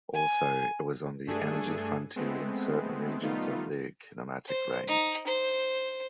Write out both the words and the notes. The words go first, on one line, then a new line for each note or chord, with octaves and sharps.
Also, it was on the energy frontier in certain regions of the kinematic range.
G#5
G2 A3 D4 G#4 A4 G#5
G#3 A3 B3 C4
D#3 G3 A3 B3 D#4 F4
C5
D#4
C5